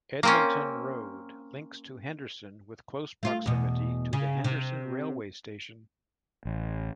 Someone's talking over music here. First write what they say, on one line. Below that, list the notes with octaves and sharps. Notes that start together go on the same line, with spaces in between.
Edmonton Road: links to Henderson with close proximity to the Henderson Railway Station.
A#3 C4 C#4
A3 F4
E2 B2
C#3
C3
A1